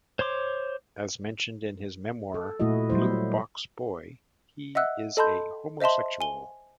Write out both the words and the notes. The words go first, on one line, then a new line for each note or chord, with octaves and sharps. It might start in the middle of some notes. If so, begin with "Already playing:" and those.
As mentioned in his memoir "Blue Box Boy" he is a homosexual.
C5 C#5 C6 D6
A4
A#2 A3 E4 F#4 D#5
F#3 G3 E4 C5
D#5 E5 F#5 E6 F#6
A4 D#5 A5 B5 C6 G6
C5 D#5 E5 A5 C6
G#5 G7